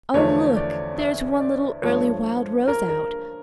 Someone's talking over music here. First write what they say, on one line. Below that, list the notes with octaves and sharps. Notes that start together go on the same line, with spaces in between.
Oh, look, there's one little early wild rose out!
E2 D3 F3 A3 C#5
D5
E5
D5
G2 F3 A3 C#5
A#4
A#4